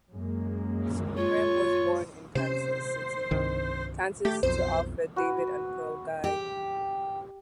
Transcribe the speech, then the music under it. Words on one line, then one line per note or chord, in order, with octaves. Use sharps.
Scrimm was born in Kansas City, Kansas to Alfred David and Pearl Guy.
F#2 G#3 A#3
F4 C#5
C3 C4 C#4 C5
C2 G2 D#3
A3 G4
B1 F2 C5
F#4 B4
G4